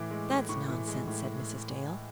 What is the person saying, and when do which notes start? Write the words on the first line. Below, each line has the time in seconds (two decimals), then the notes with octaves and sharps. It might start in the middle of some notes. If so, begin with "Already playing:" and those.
"That's nonsense," said Mrs. Dale.
Already playing: A2 E3 D6
0.11 G#3
0.30 A2
0.49 A2 C#6
0.68 E3
0.88 G#3
1.07 A2